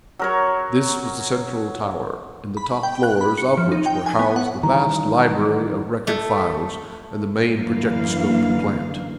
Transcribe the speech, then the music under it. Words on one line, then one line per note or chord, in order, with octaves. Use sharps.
This was the central tower, in the top floors of which were housed the vast library of record files and the main projectoscope plant.
F#3 A#4 C#5
B5
G5
F#6
B5
C#7
F3
D#4
G5
G#5
B3
F#5
D#3 E3 G3 A#5
A3
F#2 D3 E3 A#3 F5